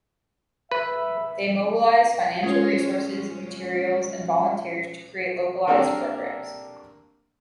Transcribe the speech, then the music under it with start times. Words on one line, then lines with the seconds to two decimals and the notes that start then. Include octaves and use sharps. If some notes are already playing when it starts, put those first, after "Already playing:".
They mobilize financial resources, materials, and volunteers to create localized programs.
0.72 B4 E5
2.43 G#3 C#4 F4 C5 C#5
5.68 A#3 C4 D4 G4 A4 A#4